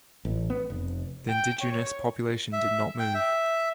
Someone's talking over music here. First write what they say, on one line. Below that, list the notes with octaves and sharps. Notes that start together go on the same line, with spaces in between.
The indigenous population did not move.
A1
B3
F1
G5
C#5
E5
G5
E5